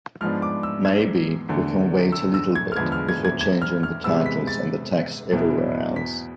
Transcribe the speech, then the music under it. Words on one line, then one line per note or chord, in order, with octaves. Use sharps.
Maybe we can wait a little bit before changing the titles and the text everywhere else?
G#2 F3 G#3 B3 D4 F6
D6
E6
G#6
E2 D3 A3
E6
E6
G#6
F6
E2 D3 F3 G#3 B3 G#6
F6
G#6
G#6
G#6
F6
F6
C3 G#3 B3 E6
B6
A6
E2 B2 B3 E4
B6